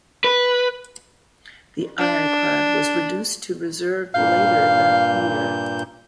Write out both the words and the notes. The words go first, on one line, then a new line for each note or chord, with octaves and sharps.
The ironclad was reduced to reserve later that year.
B4
D4
G2 A#2 F5 G6